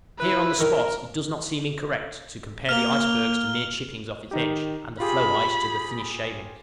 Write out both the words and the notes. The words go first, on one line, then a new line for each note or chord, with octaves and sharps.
Here, on the spot, it does not seem incorrect to compare the icebergs to mere chippings off its edge, and the floe-ice to the thinnest shavings.
E4 B4
D#3 A#4
A#3 F6 F7 G7
D#3 D#4 G4
F4 G4 G#4 B5